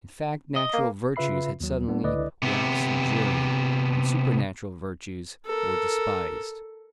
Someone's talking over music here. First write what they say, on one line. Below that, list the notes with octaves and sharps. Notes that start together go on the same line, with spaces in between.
In fact, natural virtues had suddenly waxed luxuriant, and supernatural virtues were despised.
D#5
A#3
C#3 F4 B4 E5 B5 C7
D#2 F#3
G3 B3 D4
C#2 D3 E4 B4 D5 D#5
C3 B3
A4 A#4